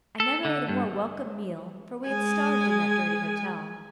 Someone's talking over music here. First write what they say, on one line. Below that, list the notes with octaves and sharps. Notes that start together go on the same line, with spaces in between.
I never ate a more welcome meal, for we had starved in that dirty hotel.
A4
D3
G2
G#3 G#5